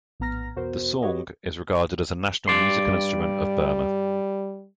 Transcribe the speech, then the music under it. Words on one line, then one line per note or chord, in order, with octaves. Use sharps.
The saung is regarded as a national musical instrument of Burma.
A#1 A2 B3 A#5 F6 A#6
E2 B2 B3 F#4 A#4 C5
F#4 G4 B4 C#5 D#5
G2 G3 D5 C6